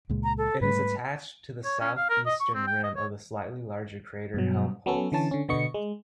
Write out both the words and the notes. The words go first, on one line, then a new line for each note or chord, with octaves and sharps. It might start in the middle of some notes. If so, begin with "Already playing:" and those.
It is attached to the southeastern rim of the slightly larger crater Helmholtz.
C#2 A#2 G#3
A#5
A4
G#2 G3 A3 B4
C#5
C#4
F5
A#4
D#5
C#6
C4
G5
D#5
C#5
G2 B2 F#3
F#3 B3 C#4 A4
D3 E3 C#4 A5
D3 C#4
B2 D3 B3 D#5 C#6 C#7
G#3